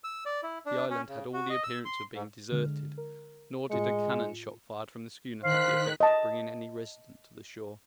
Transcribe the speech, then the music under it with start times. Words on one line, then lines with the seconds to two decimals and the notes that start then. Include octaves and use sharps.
The island had all the appearance of being deserted, nor did a cannon-shot fired from the schooner have the effect of bringing any resident to the shore.
0.04 E6
0.26 D5
0.43 E4
0.66 D4
0.90 C#4
1.08 C#3
1.33 F#4
1.50 D#5
1.64 E6
1.85 C6
2.14 G#2
2.52 D3 G#3 F6
2.98 A#4
3.71 A2 G#3 F4 C#7
5.44 D#3 C5 F5 F#6 B6
6.00 D#5 A5